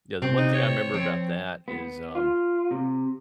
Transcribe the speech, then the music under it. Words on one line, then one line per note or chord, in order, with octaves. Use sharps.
yeah, the one thing I remember about that is, um,
C3 C4
D#4
C#5
F3 C4
B3
F4
C3